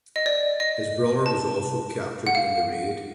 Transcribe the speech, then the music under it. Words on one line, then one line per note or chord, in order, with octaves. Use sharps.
His brother was also captured in the raid.
D#5
D5
D#5
A5
F#5
F5